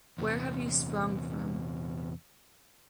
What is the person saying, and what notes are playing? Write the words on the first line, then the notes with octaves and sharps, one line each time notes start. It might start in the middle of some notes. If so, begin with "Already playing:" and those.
Where have you sprung from?
E2 C3